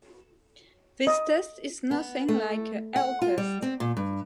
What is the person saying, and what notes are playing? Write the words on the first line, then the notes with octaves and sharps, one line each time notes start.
The test is nothing like an L-test.
D#5
B3
A3
F#5
F4
G3
C4
A#2
G2